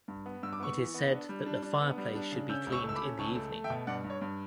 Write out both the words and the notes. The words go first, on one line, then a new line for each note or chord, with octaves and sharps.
It is said that the fireplace should be cleaned in the evening.
G2
B3
G2 E6
D6
B3 C#6 E6
E3
B3
D4
G3
D4
D4
B3
G3
D4
C#3
C#4 E6 G6
C#2
C#6 E6
A3
E6
B5 D6
C#4
C#2 A5 C#6
A3
A3
E5 G5
B2
G2 D5 F#5
G2
C#5
G2